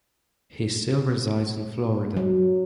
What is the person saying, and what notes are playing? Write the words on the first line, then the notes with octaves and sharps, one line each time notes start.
He still resides in Florida.
F#3